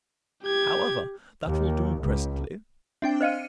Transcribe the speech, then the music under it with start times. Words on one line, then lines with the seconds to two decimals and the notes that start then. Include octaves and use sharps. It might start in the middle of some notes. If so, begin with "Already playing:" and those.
However, that'll do presently.
0.44 G4 G#6
1.45 D#2
2.01 C#2
3.02 C4 D4 E5 G5
3.21 C5 D#5 F5 F6 C#7 D#7